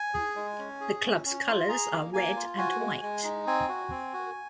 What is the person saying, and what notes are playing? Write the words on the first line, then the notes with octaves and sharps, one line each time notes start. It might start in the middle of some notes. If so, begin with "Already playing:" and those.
The club's colours are red and white.
Already playing: G#5
G#4
G#3
C#4
G#4
C#4
C#4
F4
G#4 A#5
A#3
A#3 G#5
F4
F#4 G#5
G#3
G#3
D#4
C4 G#5
F#4
C4
F#4